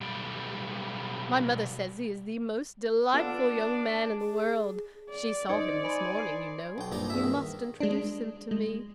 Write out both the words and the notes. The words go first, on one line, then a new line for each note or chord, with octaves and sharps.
My mother says he is the most delightful young man in the world; she saw him this morning, you know; you must introduce him to me.
B1 G3
B3 D4 F4 A4
G#4
D5
D#4 C5 D#5 D#6 G#6 C#7
G#5 B5 C6
C7
B1 G5
C2 G2 A#2 D#4 D5
E2 E5
D#3
G#3 D4
G#3